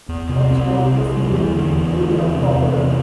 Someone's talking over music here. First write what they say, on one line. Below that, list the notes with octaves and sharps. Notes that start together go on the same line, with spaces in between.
Such monitors proved very unpopular.
E2
C3
C2 C4
C3
C2
C3
G3
F#3
E2 E3
D3
E2
D3
E2
C3
E2
C3